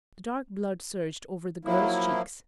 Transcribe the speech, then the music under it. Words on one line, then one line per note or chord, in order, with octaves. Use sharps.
The dark blood surged over the girl's cheeks.
F3 F#3 A#3 E4